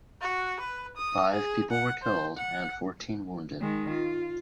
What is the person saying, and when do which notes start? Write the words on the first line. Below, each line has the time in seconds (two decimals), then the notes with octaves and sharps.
Five people were killed and fourteen wounded.
0.21 F#4
0.60 B4
0.96 D#6
1.32 G#4
1.71 F#5
2.02 C5
2.37 F#5
3.61 D#3 G#3
3.91 F4